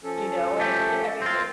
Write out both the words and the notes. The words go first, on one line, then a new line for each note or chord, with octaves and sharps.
you know? And, i eh, I mean, the
F3 C#4 A4
A3 G4
C4 F4